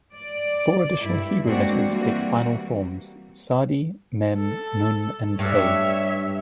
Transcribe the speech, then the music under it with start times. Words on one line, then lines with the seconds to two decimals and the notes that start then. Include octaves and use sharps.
Four additional Hebrew letters take final forms: tsadi, mem, nun, and pei.
0.13 D5
0.99 G2 E4
1.44 G#3 A#3 C4 D4 F#4
1.87 E3 G3 A#3 C4 F#4
4.38 A4
5.39 G2 C#5 E5